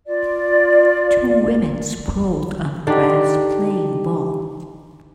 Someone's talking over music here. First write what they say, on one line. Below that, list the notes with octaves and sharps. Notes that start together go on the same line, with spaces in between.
Two women sprawled on grass playing ball.
F4 D5
D3 D4 D#4 G4